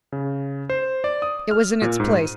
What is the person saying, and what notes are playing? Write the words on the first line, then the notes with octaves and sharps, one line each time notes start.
It was in its place.
C#3
C5
D5
D#6
F6
A#2
G#2
D#7